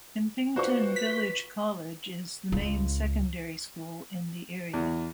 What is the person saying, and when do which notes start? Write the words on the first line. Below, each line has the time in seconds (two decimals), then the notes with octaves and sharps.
Impington Village College is the main secondary school in the area.
0.56 F4 F#4 B4 C5 D5 C#6
0.96 B6
2.52 C#2
4.73 E2